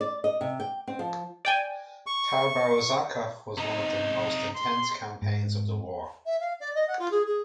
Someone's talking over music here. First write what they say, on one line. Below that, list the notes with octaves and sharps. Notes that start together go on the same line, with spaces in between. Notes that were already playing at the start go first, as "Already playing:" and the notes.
Tabaruzaka was one of the most intense campaigns of the war.
D5
D#5
C3
G5
C4
F3
D5 G5 G#5
C#6
C3 D#4
C6
G#2
E5
F5
D5
D#5
F#5
F4
G#4
G#4